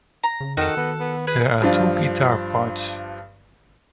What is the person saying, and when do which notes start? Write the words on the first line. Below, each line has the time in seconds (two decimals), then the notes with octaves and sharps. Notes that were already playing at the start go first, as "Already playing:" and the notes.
There are two guitar parts.
0.23 A#5
0.41 C#3
0.57 F2 D#3 F#4 A4
0.77 D#3 B3
1.00 B3
1.27 G#4 B4
1.62 G2 F3 D4 F4